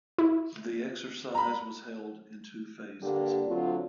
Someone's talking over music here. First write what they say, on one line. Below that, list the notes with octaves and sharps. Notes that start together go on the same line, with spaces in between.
The exercise was held in two phases.
E4
A#5 B5
G2 D3 A#3 D4 G4
D2 D3 F#3 C4 F4